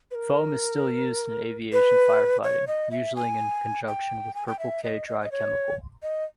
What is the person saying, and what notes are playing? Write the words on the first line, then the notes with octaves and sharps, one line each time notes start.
Foam is still used in aviation firefighting, usually in conjunction with Purple-K dry chemical.
B4
A#4
B4
C#5
D#5
E5
G#5
G5
G#5
G5
E5
D#5
D#5
D#5
C#5
D#5